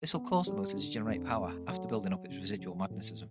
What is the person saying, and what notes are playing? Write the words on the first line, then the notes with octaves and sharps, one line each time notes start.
This will cause the motor to generate power after building up its residual magnetism.
B3
G3
D3
F2
A3
F#3
F#3
C#3
F#3
A2